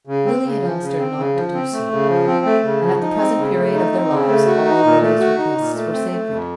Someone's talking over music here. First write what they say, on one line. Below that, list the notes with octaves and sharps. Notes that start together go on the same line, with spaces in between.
Lily had asked her not to do so, and at the present period of their lives all Lily's requests were sacred.
C#3
C4
C#3
F3
C#3
C4
C#3
F3
C4
A3
C#3
F3
C4
A3
C#3
F3
D#4
C4
C#3
A3
D#4
C4
C#3
A3
F#4
D#4
A#2
A3
F#4
D#4
A#2
A3
C4
A3
F2